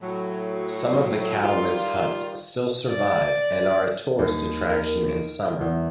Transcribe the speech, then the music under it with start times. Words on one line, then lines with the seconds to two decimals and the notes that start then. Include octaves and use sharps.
Some of the cattlemen's huts still survive and are a tourist attraction in summer.
0.01 A2 F#3
1.42 D#3 G3 F4
2.88 D5
4.18 D#2
4.70 A#4
5.09 D7
5.61 E2